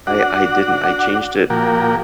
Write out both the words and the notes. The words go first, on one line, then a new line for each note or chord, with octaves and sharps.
I I didn't, I changed it
D4 F#4 F#5
A#2 F3 A#3 F#4 G4